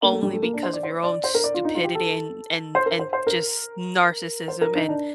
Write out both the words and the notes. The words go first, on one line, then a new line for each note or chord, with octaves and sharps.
only because of your own stupidity and and and just narcissism and
A#3
A3
G3
A3
A#3
D4
C5
D5
C5
D5
C5
A#4
D5
F4
D#4
F4
G4
A4
C5
A#4
C5
C5
A#4
C5
A#4
D#4
D4